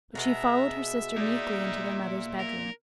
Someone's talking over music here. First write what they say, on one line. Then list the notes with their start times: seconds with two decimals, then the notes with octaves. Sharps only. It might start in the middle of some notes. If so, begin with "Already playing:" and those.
But she followed her sister meekly into their mother's bedroom.
0.15 B2 G#3 B3 E5 A#5
1.17 A#3 D#4 D5
2.39 A#4